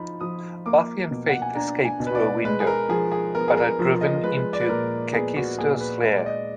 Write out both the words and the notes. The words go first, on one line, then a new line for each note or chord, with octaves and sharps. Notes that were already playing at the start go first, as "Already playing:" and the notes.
Buffy and Faith escape through a window, but are driven into Kakistos lair.
Already playing: F3 D#4 B5
F3 D#6
A#3 D6
B2
F#5
G#5
D4 A#5
G#5
B2
B4
D5
G#3 B4
G#4
A#4
F3 G#4
G#4
B3 A#4
G#4
A#4
F3
D#5
G#3 B4
D5
B4
A#2 A#4
B3 G#4
F#4
A#2 G#4
B4
G#3
D5
D#5